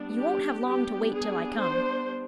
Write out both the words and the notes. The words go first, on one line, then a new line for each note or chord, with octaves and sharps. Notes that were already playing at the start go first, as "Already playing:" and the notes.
You won't have long to wait till I come.
Already playing: G3 B3 D4
G4
G3 B3 D4 G4
G#4
C5